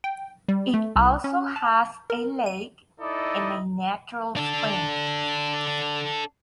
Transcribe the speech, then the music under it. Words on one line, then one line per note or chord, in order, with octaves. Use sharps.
It also has a lake and a natural spring.
G5
G3
A3
C2
C#4
A5
A#4
D#7
D#4 E4 A4 D5 D#5
D4 A4